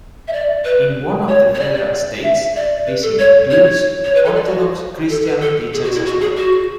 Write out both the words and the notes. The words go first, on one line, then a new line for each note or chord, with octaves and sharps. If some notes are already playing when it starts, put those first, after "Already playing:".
In one of the federal states this includes Orthodox Christian teachers as well.
E5
D5
B4
C#5
C#5
D5
D5
E5
D5
B4
A4
C#5
C#5
C#5
B4
A4
D5
F#4
A4
B4
A4
G#4
F#4
E4
F#4
G#4
F#4